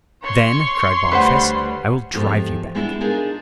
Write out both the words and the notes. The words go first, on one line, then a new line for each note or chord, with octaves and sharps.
"Then," cried Boniface, "I will drive you back."
C#5 C6 C#6
D2 G3 B4 C5 F#5
E2 G#2 F3 G4 A4
G3 G#3 B3 D4 E4
D4 D#4 F4 G#4 A#4